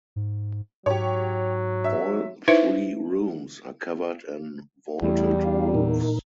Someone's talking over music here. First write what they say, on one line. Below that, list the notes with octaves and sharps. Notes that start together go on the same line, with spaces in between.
All three rooms are covered in vaulted roofs.
G#2
G#2 F#3 G4 C#5
E5
D#4 E4 B4 C5 E5
E2 G3 A3 E4
D5 F5
A#2 D#4 A#4